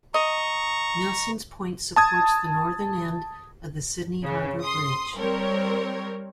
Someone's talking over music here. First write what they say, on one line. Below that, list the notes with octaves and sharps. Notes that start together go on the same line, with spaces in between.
Milsons Point supports the northern end of the Sydney Harbour Bridge.
D#5 A#5 C#6
A5 D#6 G#6
C#3
C6 D#6
G3 C4 A#4 C#5